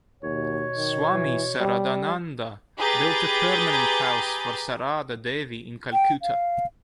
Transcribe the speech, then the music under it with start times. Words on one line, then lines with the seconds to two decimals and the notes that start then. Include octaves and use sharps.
Swami Saradananda built a permanent house for Sarada Devi in Calcutta.
0.23 D#2 B2 C#5
0.76 D#3
1.11 E3
1.60 G3
2.78 G4 G#4 B4 A#5 G6 A6
5.93 G5
6.22 F5